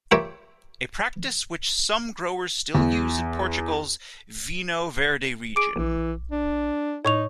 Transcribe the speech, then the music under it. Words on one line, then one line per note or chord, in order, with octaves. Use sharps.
A practice which some growers still use in Portugal's Vinho Verde region.
F4 G4 A#4 C#5 E5 G5
E2
G#4 D6 D7
A#1 E3
D4
A2 D#4 C#5 C#6 F7